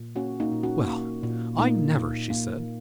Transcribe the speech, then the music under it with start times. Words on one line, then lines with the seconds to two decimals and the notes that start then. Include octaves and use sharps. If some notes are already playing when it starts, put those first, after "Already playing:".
"Well, I never," she said.
Already playing: A#2
0.16 A#3 C#4 F#4
0.40 A#3 D#4
0.52 A#2
0.63 C#4 F#4
0.87 A#3
1.23 A#2
1.58 A#2 A#3 D#4
1.94 A#2
2.30 A#3